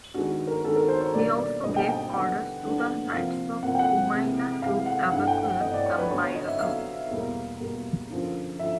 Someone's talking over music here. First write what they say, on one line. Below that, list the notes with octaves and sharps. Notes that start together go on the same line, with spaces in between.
He also gave orders to the knights of Cumiana to evacuate the Maira valley.
D#3 G#3 B3 D4 F#4
A#4
D#3 G#3 B3 D4 A4
A#4
C5
C#5
B2 G3 A#3 D4 D5
D5
B2 G3 A#3 D4 D#5
G5
G5
D3 G3 B3 D4 F#5
D3 G3 B3 D4
C3 F3 A#3 F5
C3 F3 A#3 F#5
G5
F#5
C3 E3 G#3
C3 E3 G#3 F5
F#5
F5
G2 E3 A3 D4 F#5
G5
F#5
G2 E3 A3 D4 D#5
D5
C#5
B4
D3 F#3 B3 C#5
C#5
D#5
E5
D3 F#3 B3 F5
E2 B2 G3 A#3
E2 B2 G3 A#3
F#2 D3 F3
D3 F3 E5